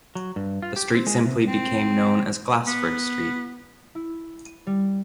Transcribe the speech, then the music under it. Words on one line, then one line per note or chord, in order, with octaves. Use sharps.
The street simply became known as Glassford Street.
F#3
G2
F4
G4
C4
G#3
C3
C4
B3
E4
D#7
G3